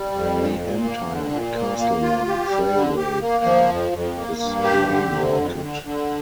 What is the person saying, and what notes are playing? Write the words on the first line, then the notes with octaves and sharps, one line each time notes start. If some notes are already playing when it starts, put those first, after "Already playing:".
The entire Castleman Trailway path is waymarked.
Already playing: G3
F2
A#2
A#2
A#3
D3
A#2
A#3
A#3
F4
G4
G3
D3
G4
A#3
F3
F2
F2
A#3
G2
G4
D3
C3
F2
D3
D3